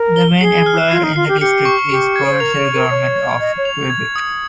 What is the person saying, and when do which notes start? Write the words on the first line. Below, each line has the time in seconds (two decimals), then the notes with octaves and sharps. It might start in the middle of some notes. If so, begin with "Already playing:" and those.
The main employer in the district is the provincial Government of Quebec.
Already playing: A#4
0.16 G7
0.41 G#4 C7
0.66 F6
0.91 F4 C7
1.04 D#4
1.16 F4 C7
1.28 G4
1.41 G4 C#7
1.65 C#6
1.90 G4 C#6
2.16 G#6
2.23 C#5
2.32 C5
2.40 A#4 F7
2.57 C#5
2.65 G#6
2.74 A#4
2.90 C#5 G#6
3.16 G#6
3.40 D#5 G#6
3.58 C#5
3.65 F7
3.90 G#6
4.16 D#6